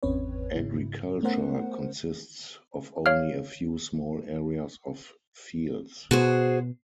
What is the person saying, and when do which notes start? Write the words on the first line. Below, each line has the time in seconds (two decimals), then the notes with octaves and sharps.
Agriculture consists of only a few small areas of fields.
0.03 G#1 E2 C4 C#4 B4 C#5
0.55 G#2 C#3 E4
1.23 A3 B3 C#4 A#4 C5 F#5
3.06 C#5 F5 F6
6.11 B2 F#4 G#4 C5